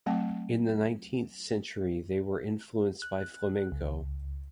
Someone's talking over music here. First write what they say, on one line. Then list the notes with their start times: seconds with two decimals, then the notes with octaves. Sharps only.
In the nineteenth century they were influenced by Flamenco.
0.06 F#3 A3 C4 G5 A5
3.02 F#6
3.72 C#2